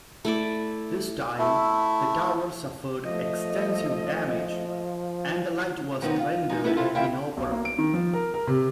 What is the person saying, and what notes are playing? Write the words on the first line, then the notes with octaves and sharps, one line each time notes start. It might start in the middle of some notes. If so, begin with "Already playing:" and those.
This time, the tower suffered extensive damage, and the light was rendered inoperable.
A3 E4 D5
A3 E4
F3 A3 D#5
D#3 F#3 B3 C4 D#4 D#5
F4
G#3 D#4
B3 C#4 D#4 E4 A4 B4
C3 E4 F4 A4
D#2 C#3 E4 F4 E5 G5
B1
A#3
D7
D#3
F3
A#4
A#4
C3